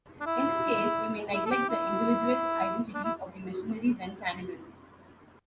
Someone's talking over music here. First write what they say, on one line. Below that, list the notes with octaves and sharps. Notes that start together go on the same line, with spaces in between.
In this case we may neglect the individual identities of the missionaries and cannibals.
D4
E4
E4
A4
G4
E4
D4
E4